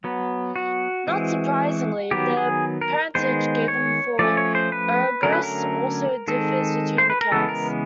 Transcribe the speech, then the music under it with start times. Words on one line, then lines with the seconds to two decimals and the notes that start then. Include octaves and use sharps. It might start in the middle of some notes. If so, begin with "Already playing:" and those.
Not surprisingly, the parentage given for Oeagrus also differs between accounts.
0.04 F#3 B3
0.56 F#4
1.07 E3 G#3 C4
2.11 D#3 F#3 B3 G4
2.37 G#4
2.81 A#4
3.15 D#3 G#3 B3 C5
3.68 C#5
4.19 F3 A3 C#4 D5
4.37 C#5
4.55 C5
4.72 B4
5.23 D3 F#3 A3 C#4 A#4
5.33 B4
5.43 A#4
6.28 D#3 G#3 C4 A4
6.98 C5
7.10 B4
7.21 A#4
7.31 C#3 E3 G#3 B3 A4
7.49 A#4